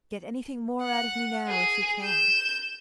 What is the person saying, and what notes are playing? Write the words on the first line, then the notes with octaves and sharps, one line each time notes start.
Get anything more out of me now, if you can.
F#5
G#4
G6 E7